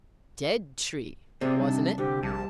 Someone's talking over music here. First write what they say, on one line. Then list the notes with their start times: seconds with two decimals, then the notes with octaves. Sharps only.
"Dead tree, wasn't it?"
1.41 C3 C4 G#4 C5 D5
1.59 G3 D4 D#4 A5
1.98 C2 D3 G4
2.23 A#1 G3 A5